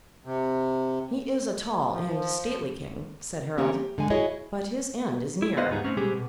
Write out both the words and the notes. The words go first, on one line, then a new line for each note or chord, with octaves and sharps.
'He is a tall and stately king,' said Harold, 'but his end is near.'
C3
F3
D#3 A#3 C4 C#4 G4
G4
D3 G#3 G#5
E4 F#4 G#4 C#5 D#5
E4
B3 F4 B4 C5 D#5 F5
D2 G#2 G3 B3 D#4 G#4
A3 C4 C#4
B2 G3 G#3 C4 G4 G#4
B2